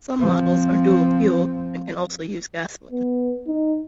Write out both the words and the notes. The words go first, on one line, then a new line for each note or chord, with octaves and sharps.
Some models are dual fuel and can also use gasoline.
F3 C4
B3
D#4